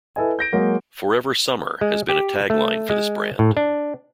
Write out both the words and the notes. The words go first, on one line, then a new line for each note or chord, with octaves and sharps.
"Forever Summer" has been a tagline for this brand.
E4 A4 B4 D#5 G#5
G6 A#6 D7
F#3 G#3 A#3 F#4
G#3
G4
A3
G#3
A2
D4